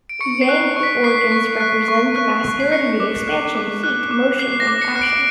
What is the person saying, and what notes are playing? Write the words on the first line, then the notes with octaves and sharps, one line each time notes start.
Yang organs represent : masculinity, expansion, heat, motion, and action.
D7
C#6 C#7
C7
F#6
C#6
B6
F#6 C7
C#6
F#6
C#6
F#6
C#6
C7
F#6 C#7
D6
F#6
D6
F#6
D6
F#6 C7
A#6
D6
C#7
F#6
D7